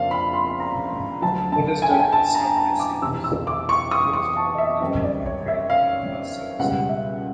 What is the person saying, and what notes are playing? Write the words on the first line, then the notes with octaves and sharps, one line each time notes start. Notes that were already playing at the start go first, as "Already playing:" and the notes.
Botesdale is served by Simonds of Botesdale Limited's Country Link bus service.
Already playing: F2 C#3 A#3 D4 F5
B5
C6
B5
A#5
B5
D2 D3 F#3 A5
A5
G#5
G5
G#5
A5
A#5
A#5
D6
F1 E2 B2 E6
E6
D6
C#6
D#6
C#6
A5
D#5
E5
F#2 D#3 G3 C4 D#4 D#5
D5
C#5
E5
F5
C#2 B2 G3 F#5
E5